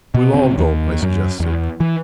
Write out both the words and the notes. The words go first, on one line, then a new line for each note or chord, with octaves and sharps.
"We'll all go," I suggested.
B2
D1 C#3 C4
D#2
F#2
E2
E3